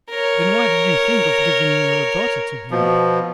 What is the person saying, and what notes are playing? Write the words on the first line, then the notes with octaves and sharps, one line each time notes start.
"Then, why did you think of giving your daughter to him?"
A#4 C#5
B2 F3